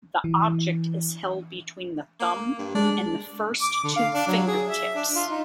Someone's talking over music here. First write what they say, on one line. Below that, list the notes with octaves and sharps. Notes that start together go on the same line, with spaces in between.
The object is held between the thumb and first two finger tips.
E3
A#3
G2
G#3 D4 G#4
D6
D3
F5
D4
F#3
G#4
E5
D4
F4
D#4